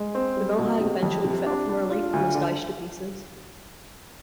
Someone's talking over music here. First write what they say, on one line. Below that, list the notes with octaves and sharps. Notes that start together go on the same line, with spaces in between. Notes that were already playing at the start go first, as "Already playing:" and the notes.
The mill hag eventually fell from her leap and was dashed to pieces.
Already playing: G#3
C4
G3
B2
C3
F2
C3
D4
D4
F4
D2
D3